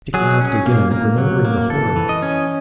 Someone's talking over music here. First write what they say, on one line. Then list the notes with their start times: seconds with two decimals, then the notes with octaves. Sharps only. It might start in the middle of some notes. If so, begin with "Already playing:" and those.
Dick laughed again, remembering the horror.
0.14 F#3 G#4
0.40 C#4
0.66 A#3
0.91 A#3
1.18 F#3
1.45 A#3
1.70 E3 A4
1.96 E3
2.09 D#5
2.22 C#4